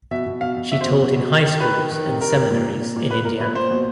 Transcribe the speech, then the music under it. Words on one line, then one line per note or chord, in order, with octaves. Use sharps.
She taught in high schools and seminaries in Indiana.
B2 E5
B2
B2 F5
B2
B2 E5
C5
B2
B2
B2
D#3
D#3
D#3 B4
D#3
D#3
C3
D#3 A#4
C3
A#2
A#2
A#2
A#2
A#2 B4
A#2 A#4
A#2 B4
A#2 C5
B2